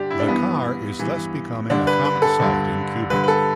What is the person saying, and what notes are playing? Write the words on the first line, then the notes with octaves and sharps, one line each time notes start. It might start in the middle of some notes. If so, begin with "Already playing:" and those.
The car is thus becoming a common sight in Cuba.
Already playing: G2 D3 D4 G4
E4
D4
G2 E3 B3
G2 E3
G2 D3 D4
B4
B4
A4
G2 D3
G2 D3 B4
B4
A4